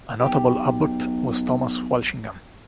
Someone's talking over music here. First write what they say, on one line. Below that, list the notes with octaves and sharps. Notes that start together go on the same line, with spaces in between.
A notable abbot was Thomas Walsingham.
B1 G4